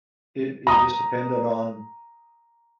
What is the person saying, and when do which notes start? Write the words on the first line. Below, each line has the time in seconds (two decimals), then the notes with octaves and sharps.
It it just depended on
0.67 A#5 D#6